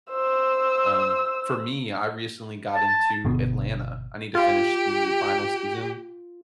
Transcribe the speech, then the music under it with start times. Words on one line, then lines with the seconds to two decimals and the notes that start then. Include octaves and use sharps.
Um, for me, I recently got into Atlanta, I need to finish the final season.
0.11 C5 E6
2.73 A5
3.25 G1 B2
4.35 F4 G4